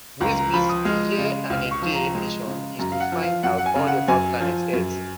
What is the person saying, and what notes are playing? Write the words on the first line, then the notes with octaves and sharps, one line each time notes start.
Wizbit's year-and-a-day mission is to find out all about planet Earth.
C#2 A#5
A#5
F3 B5
D#6
G#3 F6
C#3
C#2 F6
C#6
F3
A#5
G#3
C#3
F#2 A#5
F5
F#5
F3
F5
F#2 F#5
F#5
G#5
C#3
F#5
F#2 G#5
F3
F#2